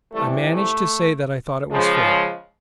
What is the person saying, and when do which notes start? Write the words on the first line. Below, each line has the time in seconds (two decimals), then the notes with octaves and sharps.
I managed to say that I thought it was fair.
0.12 C3 E3 G3 A3
0.52 A3
1.71 C#3 F3 G#3